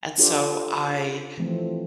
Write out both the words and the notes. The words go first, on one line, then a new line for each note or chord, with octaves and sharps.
and so, I
D4 F4 G4 A4 C5
E3 F3 A3 C4